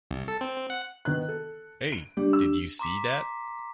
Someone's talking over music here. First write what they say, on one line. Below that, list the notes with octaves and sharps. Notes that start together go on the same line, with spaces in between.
Hey! Did you see that?
C2
A4
C4
C4
F#5
D#3 B3 F#6
A4
D7
G3 D4 G4
E6
A#5 C6 D6 B6